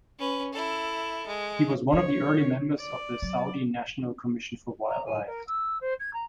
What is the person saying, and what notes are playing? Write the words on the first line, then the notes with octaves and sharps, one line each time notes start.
He was one of the early members of the Saudi National Commission for Wildlife.
C#4 B4
E4 A4
G#3
D#4 C#5
D5
F#3
A#5
G#5
A#4
E6
C5
G#6
A#5